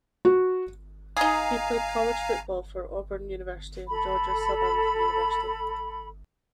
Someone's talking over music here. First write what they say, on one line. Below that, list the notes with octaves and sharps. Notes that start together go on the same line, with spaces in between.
He played college football for Auburn University and Georgia Southern University.
F#4
D#4 G#4 F5 G#5 A#5
A4 B5